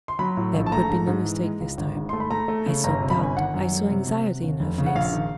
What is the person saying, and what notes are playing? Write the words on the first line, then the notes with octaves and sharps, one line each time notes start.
There could be no mistake this time; I saw doubt, I saw anxiety in her face.
C6
F#3 B5
A2
A#1
A5
A3 A#5
G#2
G#2
E3
G#3
C#2
G#1
G#2
A3 C6
B5
A3 A#5
A3
C#3
G1 A#5
C3
B5
G1 G#5
D#3 F#5
F#2
G3
C3
C3
C3
D#2
F1
C#3
F#5
A#1 F5
D#3